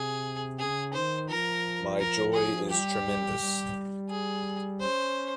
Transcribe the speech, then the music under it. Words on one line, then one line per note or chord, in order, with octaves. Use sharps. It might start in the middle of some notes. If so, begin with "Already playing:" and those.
My joy is tremendous.
Already playing: C3 G#4
C#3 G#4
D#3 C5
F3 A#4
A#4
G#4
G3 G4
G3
G#4
C#4 C5